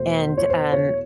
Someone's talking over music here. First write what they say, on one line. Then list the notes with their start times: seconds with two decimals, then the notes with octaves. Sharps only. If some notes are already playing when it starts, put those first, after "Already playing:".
and, um
Already playing: E2 B2 A3 C5
0.37 C#5
0.50 C5
0.72 C#5